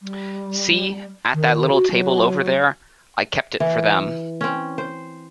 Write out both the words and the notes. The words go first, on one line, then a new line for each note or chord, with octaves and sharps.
See, at that little table over there? I kept it for them.
G3
D#3
F#4
F#3
E3
C4 C#4
C5